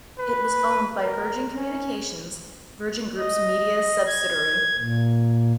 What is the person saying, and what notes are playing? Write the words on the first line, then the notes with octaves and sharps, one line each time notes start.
It was owned by Virgin Communications, Virgin Group's media subsidiary.
B4
A#4
C#4
D#5
G#6
A#2